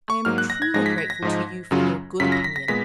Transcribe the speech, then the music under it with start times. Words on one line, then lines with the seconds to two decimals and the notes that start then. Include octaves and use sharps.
I am truly grateful to you for your good opinion.
0.10 C#6
0.25 G#2 F#3 A#3 F6
0.38 F#6
0.50 A#6
0.62 G#6
0.74 G#2 F3 G#3 D#4 A#6
0.86 B6
0.98 A#6
1.10 A#6
1.22 G#2 F3 G#3 D#4
1.71 F#2 C#3 F#3 C#4 F4
2.20 F#2 C#3 F#3 C#4 F4 B6
2.32 A#6
2.44 B6
2.56 A#6
2.68 A#2 G#3 B3 B6